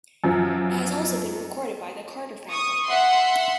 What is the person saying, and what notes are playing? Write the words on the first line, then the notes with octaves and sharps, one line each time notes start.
It has also been recorded by the Carter Family.
F#2 F3
C#6 D#6
E5 F#5 C6